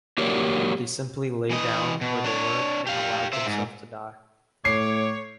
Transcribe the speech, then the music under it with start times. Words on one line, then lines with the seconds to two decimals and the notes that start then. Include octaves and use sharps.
They simply lay down where they were and allowed themselves to die.
0.18 F#3 A#3 G4 A#4 C#5 D5
1.51 E3 D#5
2.01 B2
2.24 D4 C#5
2.87 G4 F5
3.33 C5 E5
3.46 G#2
4.65 A2 C#5 D6 C7